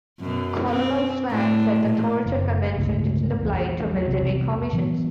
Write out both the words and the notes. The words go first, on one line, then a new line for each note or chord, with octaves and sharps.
Colonel Swann said the Torture Convention didn't apply to military commissions.
F#2 B2
C4
A2 D4
A#2
F#1
G1 C#2 A2
A#1 E2
F#3
B1 E2 C3
A#2 E3 F#3 B3